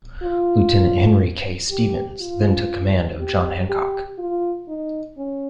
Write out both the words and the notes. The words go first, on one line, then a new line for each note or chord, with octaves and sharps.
Lieutenant Henry K. Stevens then took command of "John Hancock".
F4
G4
F4
G4
G4
F4
D#4
C#4